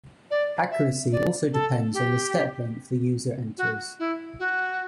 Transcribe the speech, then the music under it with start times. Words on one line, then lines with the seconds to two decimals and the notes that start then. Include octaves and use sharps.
Accuracy also depends on the step-length the user enters.
0.30 D5
0.71 E5
1.12 D5
1.52 A4
1.93 G4
3.57 F#4
3.99 E4
4.39 F#4